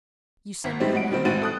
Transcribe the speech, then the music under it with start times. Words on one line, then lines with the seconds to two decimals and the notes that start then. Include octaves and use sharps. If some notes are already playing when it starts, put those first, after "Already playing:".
"You send me away?"
0.64 G#1 B6
0.80 A2 E3 G3 C4 D#4
0.95 G#3 F#5 D7
1.10 B2 D#3 G3 C4
1.25 A1 G#3 C4 F#4 A6 D#7
1.41 A4 D#6 F#6